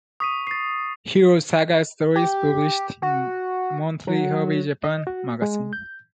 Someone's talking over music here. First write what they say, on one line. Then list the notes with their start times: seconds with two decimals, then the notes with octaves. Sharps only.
Hero Saga stories published in "Monthly Hobby Japan" magazine.
0.20 C#6 D#6 B6 D#7
0.47 A6 C7
2.15 G4
3.02 F#4
4.07 F#3
4.84 D#5
5.07 F#4
5.42 G#3
5.73 G6